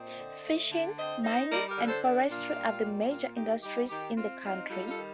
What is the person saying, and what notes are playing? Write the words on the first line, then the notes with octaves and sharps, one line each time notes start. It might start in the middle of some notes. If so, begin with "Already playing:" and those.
Fishing, mining and forestry are the major industries in the county.
Already playing: A#2 C4 C5 D#5
D3
A3
D3
C4 C5 D#5
D#4 C5 D#5
G3 A#4 D5
G4 A#4
D3
A4 C5
D4
A#2 F4
G3
A#2
A#3 F4
D#3 D#4 G4
G3 D#4 G4
D#3 D#4 G4
C4 F4
D#4 F4
G3 F4 A4
F4 A4
D#3